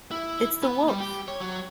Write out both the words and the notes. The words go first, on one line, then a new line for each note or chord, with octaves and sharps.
It's the Wolf!
E4
B3
G3
G4
C#5
F#3